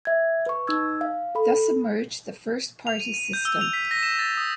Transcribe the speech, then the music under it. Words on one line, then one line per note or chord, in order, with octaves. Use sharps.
Thus emerged the first party system.
E5 G#6
B4 C#6
D#4 E6 G#6
F5
A4 B5
F7
D#7
D#7
G6
E6
F7
B6
A#6
E7
A6
D#6